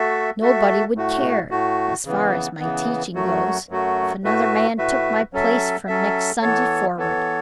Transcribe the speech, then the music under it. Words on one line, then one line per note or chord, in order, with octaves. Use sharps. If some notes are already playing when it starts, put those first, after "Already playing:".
Nobody would care, as far as my teaching goes, if another man took my place from next Sunday forward.
Already playing: A3 F#4 A4 E5
A3 F#4 A4 E5
A2 A3 F#4
A2 A3 F#4
C#3 E3 B3
C#3 E3 B3
F#2 F#3 A3 F#4
F#2 F#3 A3 F#4
A2 A3 F#4 B4 E5
A2 A3 F#4 B4 E5
F#3 C#4 A4 E5
F#3 C#4 A4 E5
E3 B3 A4 C#5
E3 B3 A4 C#5